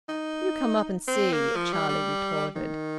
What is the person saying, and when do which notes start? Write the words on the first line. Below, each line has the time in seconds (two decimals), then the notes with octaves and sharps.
"You come up and see," Charlie retorted.
0.09 D#4
1.08 C4
1.32 A#3
1.56 F3
1.73 G3
1.89 G3
2.55 D#3